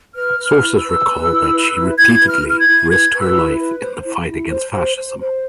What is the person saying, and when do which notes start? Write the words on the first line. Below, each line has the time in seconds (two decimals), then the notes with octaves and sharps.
Sources recall that she repeatedly risked her life in the fight against fascism.
0.15 B4 F6
0.38 B4
0.46 F6
0.61 E4
0.76 E6
0.84 B4
1.07 B4
1.30 E4
1.53 B4
1.75 E4
1.98 E4 G#6
2.21 B4
2.29 F6
2.44 E4 F6
2.60 G#6
2.67 E4
2.90 B4 G#6
3.14 B4
3.21 E6
3.36 E4
3.60 B4
3.82 C5
4.05 E4
4.28 E4
4.51 C5
4.74 C5
4.97 C5
5.20 C5